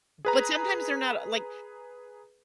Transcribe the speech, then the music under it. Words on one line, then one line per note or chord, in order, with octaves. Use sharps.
But sometimes they're not, uh, like
G#4 B4 A#5